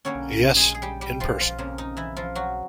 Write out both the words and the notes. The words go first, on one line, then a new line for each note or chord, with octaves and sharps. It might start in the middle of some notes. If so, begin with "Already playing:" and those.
Yes, in person.
D3 G3 A#3 C#4 C#5
G#3 G#4
G#4
G3 G4
G3 G4
F3 F4
F3 F4
F2 C#3 F3 A#3
D#4
E3 E4
F3 F4
F#3 F#4